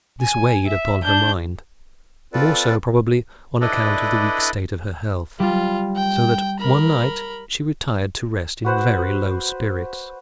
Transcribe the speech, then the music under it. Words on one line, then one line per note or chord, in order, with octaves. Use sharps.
This weighed upon her mind, the more so probably on account of the weak state of her health; so that one night she retired to rest in very low spirits.
G#5
E5
D4 G6
C4 F4 A4 B4 D5
D4 E4 A4 B4 D5 D#5
G3 F4
G5
A#4 B5
F#4 B4 C5 F#5